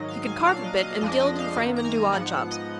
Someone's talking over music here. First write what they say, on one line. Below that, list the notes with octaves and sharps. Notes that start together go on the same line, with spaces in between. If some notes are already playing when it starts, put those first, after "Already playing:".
He could carve a bit, and gild and frame, and do odd jobs.
Already playing: G#2 D#3 F#3 D#5
F5
G#5
A#2 F#3 D4 F5
D#5
D#5
F2 F3 G#3 D4 D#5
D#5
F5
F#2 D#3 A#3
A#5
G#5
G#2 F3 B3 F#5
F#5
D#5